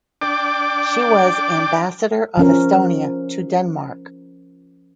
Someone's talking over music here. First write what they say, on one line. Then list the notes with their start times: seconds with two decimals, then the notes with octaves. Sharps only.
She was Ambassador of Estonia to Denmark.
0.22 D4 D5 G5 D6
2.37 F3 C#4 A#4